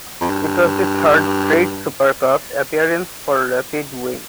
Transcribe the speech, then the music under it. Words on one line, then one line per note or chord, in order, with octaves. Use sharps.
It was the third straight Supercup appearance for Rapid Wien.
F2
G2